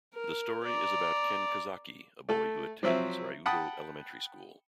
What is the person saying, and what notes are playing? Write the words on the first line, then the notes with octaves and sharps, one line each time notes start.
The story is about Ken Kazaki, a boy who attends Ryudo Elementary School.
A#4
D5 A#5
A3 A4
F3 F#3 C4 E5
F#5 G5 A5 B5 D#6